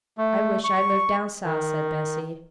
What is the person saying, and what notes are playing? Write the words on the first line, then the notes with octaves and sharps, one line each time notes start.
'I wish I lived down South,' said Bessy.
A3
C#6
D#3